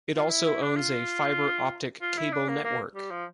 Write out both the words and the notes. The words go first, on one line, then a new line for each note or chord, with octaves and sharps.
It also owns a fibre optic cable network.
F4
E4
E4
D4
F4
F4
E4
D4
A#3
A#3
G3
F3